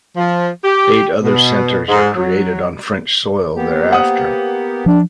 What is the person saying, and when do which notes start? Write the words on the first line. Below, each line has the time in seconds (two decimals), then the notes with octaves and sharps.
Eight other centers are created on French soil thereafter.
0.17 F3
0.64 G4
1.24 B2
1.89 G#2
2.15 F#3
3.56 A#3 B3 G4
3.91 C5 F#5 D#6
4.86 F3 D4